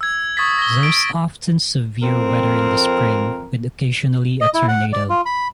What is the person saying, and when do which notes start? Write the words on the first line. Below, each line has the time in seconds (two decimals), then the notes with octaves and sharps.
There is often severe weather in the spring, with occasionally a tornado.
0.01 E6 G#6
0.37 C#6 D#6 G#6 A6 B6
0.58 A#6 G7
0.83 D7
2.02 F2 C4 A#4
4.41 D#5
4.54 E4
4.68 F#5
4.93 D5
5.09 F4
5.26 B5